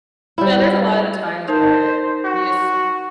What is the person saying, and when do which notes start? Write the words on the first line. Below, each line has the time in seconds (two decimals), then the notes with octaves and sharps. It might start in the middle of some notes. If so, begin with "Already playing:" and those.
Yeah, there's a lotta of the times where you just
0.38 G3 E4
1.48 D#4 A#4 C5 A5
2.25 F#4